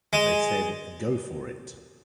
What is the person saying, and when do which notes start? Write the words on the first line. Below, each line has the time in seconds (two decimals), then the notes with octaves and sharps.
They said, Go for it!
0.13 G#3